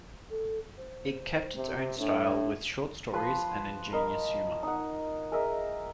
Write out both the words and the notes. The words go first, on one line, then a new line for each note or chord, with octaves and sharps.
It kept its own style with short stories and ingenuous humour.
A4
C5
C3
A2 D4
F3 B4 B5 C6
A#4 D#5 B5
D#4 F#5
G#4 A#4 D#5 E5